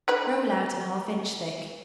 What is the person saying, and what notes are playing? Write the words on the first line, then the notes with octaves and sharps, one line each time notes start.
Roll out a half inch thick.
D3 B4 B5